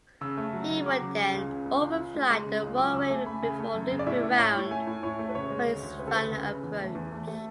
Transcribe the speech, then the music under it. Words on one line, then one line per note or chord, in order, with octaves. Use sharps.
He would then overfly the runway before looping round for his final approach.
C#3 E6
A3
F#3
C#3
F#3 D6
C#3
C#3
C#2
C#3
C#2
C#2
C#3
G#3
G#3
C#3
C#2
F#3 D6
C#3 E6
A3 G#5
A3 B5
C#3 G#5
A3
F#2
C#3
D5
A2 E5
A3
A2 C#5
A2
A3 G#5
A2
A2 C#5
A3
B4
C#3 C#5
G#3
D2
D2
C#3 B4
A4
D2 B4
C#3
C#3
E2
A3
E2
A3
A3 A4